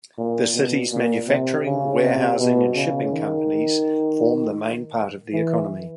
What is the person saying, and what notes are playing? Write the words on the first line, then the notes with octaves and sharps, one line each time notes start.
The city's manufacturing, warehousing, and shipping companies form the main part of the economy.
A#2
B2
A#2
C3
C#3
C3
B2
C#3
D#3
E3